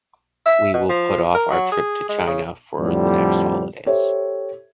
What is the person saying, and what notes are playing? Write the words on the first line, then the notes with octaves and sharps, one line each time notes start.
We will put off our trip to China for the next holidays.
E5
B2
F3
A#4
F#3
G#4
G#3
C#3
F2 A2 D3 G3
G4 A4 C5 C#5 E5